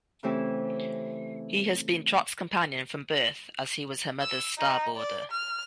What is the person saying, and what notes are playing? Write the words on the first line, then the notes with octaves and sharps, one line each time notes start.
He has been Trot's companion from birth as he was her mother's star boarder.
C#3 E3 A3 C4 E4 G4
E6
D#4
D5
F6